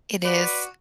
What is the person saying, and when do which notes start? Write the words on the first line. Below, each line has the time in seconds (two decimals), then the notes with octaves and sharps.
It is.
0.25 F#4 B4 D5